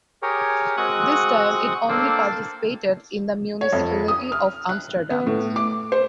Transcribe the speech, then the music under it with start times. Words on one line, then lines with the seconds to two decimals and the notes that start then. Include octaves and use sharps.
This time it only participated in the municipality of Amsterdam.
0.22 G4 G#4 A#4 C#5
0.77 G#3 C4 F#4 C#6 D#6 F#6
1.89 A#3 C4 D4 A4 C5 D5
3.61 C#5
3.72 F2
4.08 D#6
4.32 F6
4.69 F#6
5.10 B3
5.27 A2
5.56 D6
5.92 C5